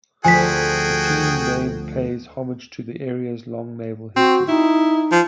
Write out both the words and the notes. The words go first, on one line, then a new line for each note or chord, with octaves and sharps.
The team name pays homage to the area's long naval history.
D2 F3 F#4 G#4 A4 G5 G#5 B6
C4 F#4
D#4 E4
F3